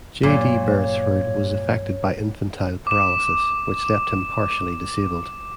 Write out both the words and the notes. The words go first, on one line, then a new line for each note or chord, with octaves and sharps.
J. D. Beresford was affected by infantile paralysis, which left him partially disabled.
G2 A#2 F#3 G3 C#5
D6 E7